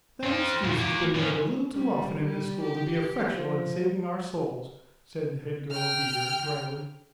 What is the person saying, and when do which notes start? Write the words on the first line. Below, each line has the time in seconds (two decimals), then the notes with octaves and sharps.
"That excuse has been made a little too often in this school to be effectual in saving our souls," said the head girl of the year, drily.
0.24 C4 F4
0.64 E2 A#2
0.79 A#3 G4
1.15 F3 C#4
1.75 G3
2.20 G3
2.62 G4
3.32 F3
5.71 G5 F6